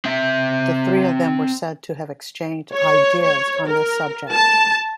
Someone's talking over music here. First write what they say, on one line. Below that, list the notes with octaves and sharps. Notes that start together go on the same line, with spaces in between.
The three of them were said to have exchanged ideas on this subject.
C4 E5
C#5
C#5
A#4
A5